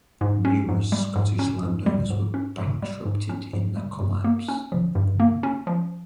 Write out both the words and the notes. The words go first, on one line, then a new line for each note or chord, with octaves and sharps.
Numerous Scottish land owners were bankrupted in the collapse.
G#2
C#4
G#2
G3
G#2
C#4
G#2
G3
G#2
C#4
G#2
G3
G#2
C#4
G#2
G3
G2
A#3
C#4
F3
G2
A#3
C#4
F3